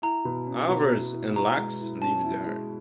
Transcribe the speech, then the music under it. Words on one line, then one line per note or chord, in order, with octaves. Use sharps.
Avars and Laks live there.
E4 A#5
B2
C#4
B2 A#5
E4
E4
E4 A#5
G#3
E4
C#4 A5
E4
G#3